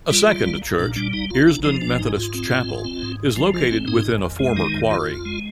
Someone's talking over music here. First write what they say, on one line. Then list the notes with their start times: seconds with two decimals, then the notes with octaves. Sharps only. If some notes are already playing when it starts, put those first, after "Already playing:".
A second church, Earsdon Methodist Chapel, is located within a former quarry.
0.10 G3 F4
0.27 G3
0.45 A#1
0.62 A#1
0.79 A#2 D4
0.96 G3 D4
1.13 A#1 D#4
1.30 A#1 F4
1.48 G#1 D4
1.64 F3 D#4
1.81 G#1 D4
1.99 G#2 D#4
2.16 G#2 F4
2.34 C4
2.50 G#2
2.68 G#1
2.85 C4
3.03 G#2
3.20 G#1
3.36 F3
3.54 G#1 F4
3.71 C4
3.87 G#2 D#4
4.05 G#1
4.23 F2
4.39 G#3
4.56 D#3 D#4
4.74 F2
4.91 F2 F4
5.09 F2
5.25 G#3